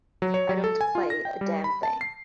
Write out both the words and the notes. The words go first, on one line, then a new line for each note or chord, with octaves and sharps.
I don't play a damned thing.
F#3
C#5
F#3
A4
G#5
F4
A#6
G5
G3
B5
A5
C7